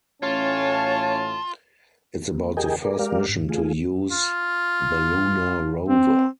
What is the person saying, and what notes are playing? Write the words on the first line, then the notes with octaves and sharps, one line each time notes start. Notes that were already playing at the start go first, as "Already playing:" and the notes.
It’s about the first mission to use the lunar rover.
A1 A2 C#4 F4 C#5 A5
A#3
G4 G#4 A#4 D#5 G5 G#5
G#4 A#4 D5
G#3 G4 A#4 D5 F5
G#2
A3 F4 G#4
F4
C4